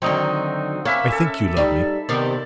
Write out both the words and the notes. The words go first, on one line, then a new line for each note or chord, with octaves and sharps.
I think you love me.
D3 D#3 F#3 C4 D#4
A#3 C#4 E5 B5
A4
G3 D#4
C3 D#3 B3 D5